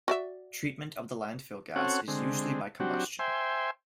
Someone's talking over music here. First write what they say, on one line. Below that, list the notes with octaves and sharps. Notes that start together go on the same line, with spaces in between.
Treatment of the landfill gas is usually by combustion.
F#4 D5 E5
C4 C#4 F#4 A4 C#5 F#5
D3 G#3 C4
F#3 C4 D4 F#4 G4
C5 E5 G5 G#5 C6